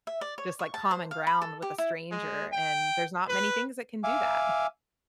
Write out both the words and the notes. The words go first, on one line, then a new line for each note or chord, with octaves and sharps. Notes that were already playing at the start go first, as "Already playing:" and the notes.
just, like, common ground with a stranger, and there's not many things that can do that.
E5
D5
C#5
C#6
A5
C5
F5
B5
A4
G4
E4
G#3
G5
B4
E5 F5 G#5 D6